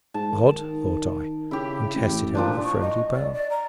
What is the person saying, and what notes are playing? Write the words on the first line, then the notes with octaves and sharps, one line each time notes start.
"Odd," thought I, and tested her with a friendly bow.
G#2 A5
D#3
C#3 E4 G4
A1
A#2 F3 D4
C#6
D#5
D5
D5
A#5